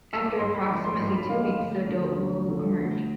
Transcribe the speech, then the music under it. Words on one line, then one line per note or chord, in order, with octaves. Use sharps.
After approximately two weeks the adult will emerge.
E6
D6
G#2 C6
B5
F3 G#3 D6
C6
G#2 C6
B5
F3 G#3 F5
F5
D2
D3 F3 A3
D2
D3 F3 A3
D2